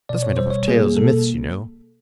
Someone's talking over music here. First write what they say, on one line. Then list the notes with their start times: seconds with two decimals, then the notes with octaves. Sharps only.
That's made up of tales, and myths, you know.
0.09 B2 D5
0.23 C#5
0.37 G3 C5
0.50 C#5
0.68 A#3 G#4
0.97 B2 A4